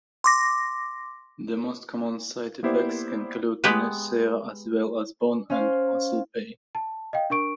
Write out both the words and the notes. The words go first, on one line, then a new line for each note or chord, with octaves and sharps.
The most common side effects include nausea as well as bone and muscle pain.
C6 D6 A#6
A#3 B3 E4 G4 C5 D5
G#3 B3 G4 B4
C#4 C5 F5
A5
D#5 F5 G5
D4 A#4 C#6 D7